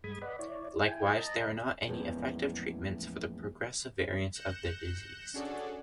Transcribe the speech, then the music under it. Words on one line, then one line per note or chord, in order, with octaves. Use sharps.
Likewise, there are not any effective treatments for the progressive variants of the disease.
G2 G#3 B5 D#6 G#6
B4 D5 D#5 F#5 B5
E4 C#5 D5
E4 G5 G#5
D#5 A5 A#5
E2 A2 F3 G#3 A#3 C#4
F#6 G6 A#6 C#7 E7
C#4 D4 F#4 G#4 A4 D5